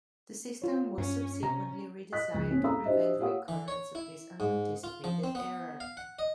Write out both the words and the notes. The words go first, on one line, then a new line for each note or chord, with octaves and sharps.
The system was subsequently redesigned to prevent recurrence of this unanticipated error.
F4 C#5
G2 C#4
C3 C#4 A#5
D#5 D#6 F#6 B6
C#2 F3 G#3
A#3 C4 C#4
A4 F5 A#5 B5 D#6 E6
D4 F#4 G4 C5 D#5 E5
F4 G4 C#5 F5 F#5 D#6
E3
C#5
E4
G#2
F4
F3
C4
B3
F5
F#5
D#5